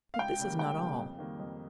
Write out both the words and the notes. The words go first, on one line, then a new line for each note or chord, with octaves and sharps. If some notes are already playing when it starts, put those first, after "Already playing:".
But this is not all.
F5
C#2 G5
C#3 G3 A#3
C#2 G5
C#3 G3 A#3
F2
D#3 G3 A#3
F2